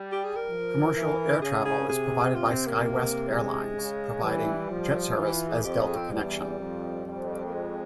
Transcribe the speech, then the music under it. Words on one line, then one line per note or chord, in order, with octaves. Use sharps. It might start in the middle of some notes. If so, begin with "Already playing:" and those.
Commercial air travel is provided by SkyWest Airlines, providing jet service as Delta Connection.
Already playing: G3
G4
G#4
A#4
F3
E3
C#3 G#4
G#4
C3 G#4
F4
C4
A#3
G#3
C#3
E3 G3
F3
E3 F4
G4
F4
G#4
F2 G4
G#4
C4
E2 G3
F2
F2
A#3
G#3